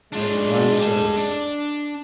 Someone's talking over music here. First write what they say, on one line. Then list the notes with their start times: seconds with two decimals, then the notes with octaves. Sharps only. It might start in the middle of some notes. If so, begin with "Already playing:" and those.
Had Divine Service.
0.13 G#3 D4 F4
0.80 G4 A5
1.17 D4